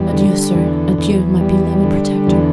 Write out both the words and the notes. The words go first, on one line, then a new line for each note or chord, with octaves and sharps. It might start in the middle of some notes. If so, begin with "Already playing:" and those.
"Adieu, sir, adieu, my beloved protector."
Already playing: E2 G3
D3
E2
E2
G3
D3
E2